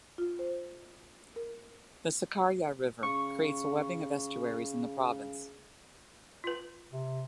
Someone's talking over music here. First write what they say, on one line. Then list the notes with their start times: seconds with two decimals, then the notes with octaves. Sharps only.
The Sakarya River creates a webbing of estuaries in the province.
0.18 F4
0.39 C5
1.36 A#4
3.03 C#3 C#6
6.44 F4 B4
6.92 C3